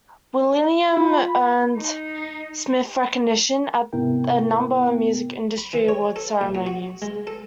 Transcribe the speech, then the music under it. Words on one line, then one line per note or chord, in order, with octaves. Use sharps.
"Willennium" earned Smith recognition at a number of music industry awards ceremonies.
F4 B5
D#4
G#2 C3 B3 E4 A#4 G5
B5
E3
C#5
A4
A#1
A#2
F#4
G#3
A4